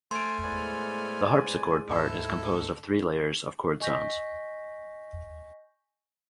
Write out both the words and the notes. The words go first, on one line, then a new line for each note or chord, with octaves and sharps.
The harpsichord part is composed of three layers of chord sounds.
A3 C5 G#5 A5 C6 F6 D7
A2 G#3 B3 C5 D5 G#5
D2 G#2 E4 A4
D#5 G#5 C#6 G6 A#6 B6